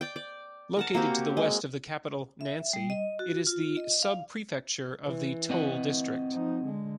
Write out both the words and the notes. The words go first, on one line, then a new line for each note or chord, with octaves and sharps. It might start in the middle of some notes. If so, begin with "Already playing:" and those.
Located to the west of the capital Nancy, it is the sub-prefecture of the Toul district.
D5 G5
D5
A#4 F#5 A5
A#3 C4 F#4 G4
G#3
E5
G3
D#5
F#4
F4
D#5
F5
E3
C4 D#5 F#5
F3 D#4
D3 G#3